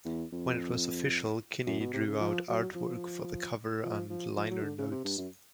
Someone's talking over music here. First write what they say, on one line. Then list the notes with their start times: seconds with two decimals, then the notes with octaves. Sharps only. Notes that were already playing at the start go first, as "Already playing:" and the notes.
When it was official, Kinney drew out artwork for the cover and liner notes.
0.05 E2
0.32 F2
1.67 F#2
1.80 B2
1.93 C3
2.07 C#3
2.20 F3
2.48 F#3
2.75 F3
3.83 F3
4.10 F3
4.36 F3
4.51 F#3
4.63 D3
4.78 C#3
4.91 C3
5.04 G2
5.18 F#2